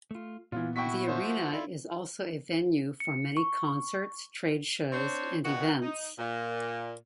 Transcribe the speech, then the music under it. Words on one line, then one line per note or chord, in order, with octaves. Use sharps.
The arena is also a venue for many concerts, trade shows, and events.
A3 F4
A#2 E3 B3 F4
E4 F#4 G5 C#6 B6
F3 F#4 C5 E5
E4 F4 A4 D5
C#7
C#6
C4 D4 C5 C#5
A#2 D#3 B3 F#4
D#4
A#2